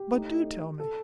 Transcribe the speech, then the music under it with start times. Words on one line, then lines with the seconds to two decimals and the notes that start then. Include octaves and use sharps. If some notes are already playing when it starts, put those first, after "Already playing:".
"But do tell me!"
Already playing: G4
0.11 A2 A3 D#4
0.80 A4